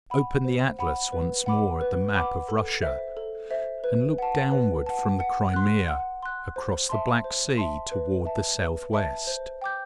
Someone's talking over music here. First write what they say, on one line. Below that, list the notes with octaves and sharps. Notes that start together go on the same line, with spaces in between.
Open the atlas once more at the map of Russia, and look downward from the Crimea, across the Black Sea toward the southwest.
F#5 B5
C5
F#5 B5
B4
F#5 B5 D6
B4
F#5 B5 D6
A4
C5 E5
A4
C5 E5
B4
F#5 A5
B4
F#5 A5
F#5
C6 F#6
F#5
C6 F#6
C5
E5 A5 C6
C5
E5 A5 C6
B4
E5 A5
B4
E5 A5
C5
G5 D6 G6